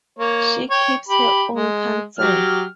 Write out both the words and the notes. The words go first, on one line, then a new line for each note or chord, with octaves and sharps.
She keeps her own counsel!
A#3 C#5
C#5 G5
G4 B5
G#3
F#3 G4 F6